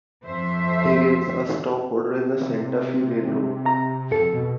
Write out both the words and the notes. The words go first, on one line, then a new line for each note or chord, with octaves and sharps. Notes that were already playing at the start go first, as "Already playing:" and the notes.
Higgins, a stockholder in the Santa Fe Railroad.
F2 C5 E5
C3
A#5
F2 A4
B2